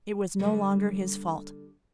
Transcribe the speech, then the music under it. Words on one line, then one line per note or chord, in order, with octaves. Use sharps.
It was no longer his fault.
D3 G3 A#3